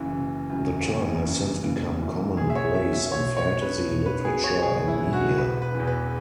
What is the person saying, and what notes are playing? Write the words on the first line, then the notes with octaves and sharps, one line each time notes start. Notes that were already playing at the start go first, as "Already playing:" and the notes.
The term has since become common place in fantasy literature and media.
Already playing: F#1 F#2 E3
F#1
F#2 E3
F#1
F#2 E3
F#1
F#2 E3
B1 G#4
E5
C#5
B2 E5
E5
E5
B1 C#5
C#5
B2
B4
B1
B4
B2 G#4
C#5
B1 G#4
E4
B2
F#4
E1 B4
B4
E2 E3
B4